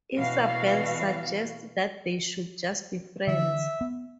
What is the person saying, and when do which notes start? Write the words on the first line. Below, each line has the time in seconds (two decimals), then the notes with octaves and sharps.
Isabelle suggests that they should just be friends.
0.16 B2 E3 F#4 F5
3.27 D3 E3 E5
3.81 B3